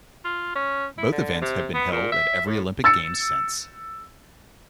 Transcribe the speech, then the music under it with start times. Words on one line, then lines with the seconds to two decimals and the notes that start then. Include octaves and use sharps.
Both events have been held at every Olympic Games since.
0.25 F4
0.55 C#4
0.98 E4
1.12 D3
1.42 C3
1.74 B3
1.92 A#2
2.12 E5
2.46 A2
2.84 E6 A6 C#7